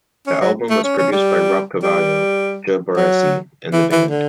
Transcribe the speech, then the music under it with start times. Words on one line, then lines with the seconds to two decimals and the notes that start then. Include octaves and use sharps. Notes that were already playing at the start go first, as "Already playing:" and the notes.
The album was produced by Rob Cavallo, Joe Barresi, and the band.
0.27 C#4
0.41 F#3
0.70 A3
0.84 C#4
0.98 C#4
1.12 G3
1.83 G3
2.97 F#3
3.72 E3
3.91 E3
4.10 D3